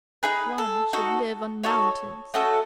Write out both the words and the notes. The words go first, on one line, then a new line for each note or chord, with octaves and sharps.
One should live on mountains.
D#4 G#4 B4
A4
D#4 F#4 A4
D#4 F#4 A4 C#5
A3 C#4 F#4 A4 D#5